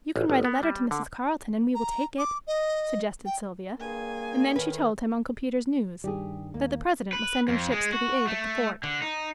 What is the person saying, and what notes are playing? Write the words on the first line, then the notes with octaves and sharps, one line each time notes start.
"You can write a letter to Mrs. Carleton and we will take it," suggested Sylvia, and then she told him Uncle Peter's news: that the President was sending ships to the aid of the fort.
A1
G1
B3
G3
D3
A#5
D6
D#5
G5
G2 A#3 G#4 G#5
A2 D#3 B4
G2 D#3 G3 G4 G#4
D#2 A#3
B4
F2
G#3
F#4
A3
D3
D#4